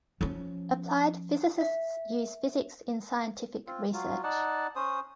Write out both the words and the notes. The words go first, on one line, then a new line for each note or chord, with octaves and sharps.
Applied physicists use physics in scientific research.
F3 C#4
E5
C4 F4
F#3 F4
D#4 D5 F#5 A5
C#4 C5 D#6